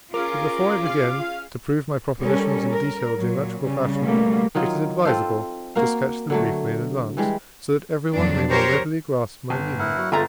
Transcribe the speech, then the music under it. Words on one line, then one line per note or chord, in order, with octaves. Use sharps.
But, before I begin to prove my Propositions in detailed geometrical fashion, it is advisable to sketch them briefly in advance, so that everyone may more readily grasp my meaning.
C#4 F4 G#4 A#4 D6
F5
G3 C#4 A4 A#4
A#4
A#2 F#3
C#3 G3
B2 G3 A3 A#3
D#3 F#3 D#4 F4
C4 F4 A4 C5
A#3 F#4 A#4 F5
D3 F#3 A3
E3 G3 G#3
F2 A#2 F#3 D4
G4 A#4 C5 C#5
G1
E4 A#4 F#5
F#3 A#3 F#4
G1 G#3 A3 F4 A4 E5 A#5 A6